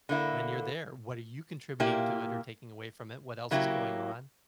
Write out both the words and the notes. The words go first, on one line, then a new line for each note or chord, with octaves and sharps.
when you're there, what are you contributing to it or taking away from it, what else is going on,
D3 A#3 E4
A#2 A#3 E4 G4
C#3 F#3 A#3 E4 G4